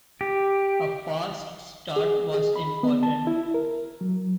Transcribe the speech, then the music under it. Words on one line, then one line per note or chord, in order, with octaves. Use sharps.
A fast start was important.
G4
G#4
G#4
B5
B3
A5
E4
A#4
F#3